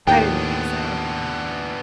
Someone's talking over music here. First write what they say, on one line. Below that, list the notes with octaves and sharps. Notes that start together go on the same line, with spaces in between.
I didn't think so.
D#2 A2 B3 D4 G5